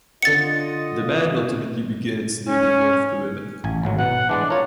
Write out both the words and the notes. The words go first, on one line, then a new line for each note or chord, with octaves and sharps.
The man ultimately begins dating one of the women.
D3 F4 D#5 F#5 A6 C#7
C#4
A1 G#5
G#1 A2 F#3
B2 B3 F#5
E3 G#3 D4 D5
F4 A#4 C#5